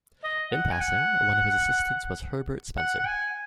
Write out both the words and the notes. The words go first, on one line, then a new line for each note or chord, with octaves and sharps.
In passing, one of his assistants was Herbert Spencer.
D#5
F#5
G#5
F#5
F#5
F#5
G#5